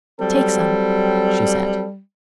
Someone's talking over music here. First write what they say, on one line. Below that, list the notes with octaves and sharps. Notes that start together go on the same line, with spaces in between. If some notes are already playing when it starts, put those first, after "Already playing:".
"Take some," she said.
F#3 G3 C4 A4